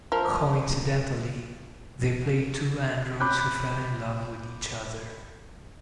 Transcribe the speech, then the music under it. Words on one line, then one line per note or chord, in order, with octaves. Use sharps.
Coincidentally, they played two androids who fell in love with each other.
F3 A#4
B5 D6 F#6 G6